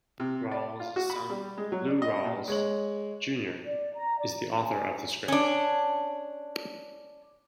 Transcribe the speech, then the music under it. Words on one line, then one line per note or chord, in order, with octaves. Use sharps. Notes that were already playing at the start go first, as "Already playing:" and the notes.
Rawls' son, Lou Rawls, Junior is the author of the script.
C3
D5
F4
F#4
B5
G3
G#3
F#3
D4
D#5
A#2
G#3 C#5 F#7
D5
A#5
D5
C#3
C#4 D4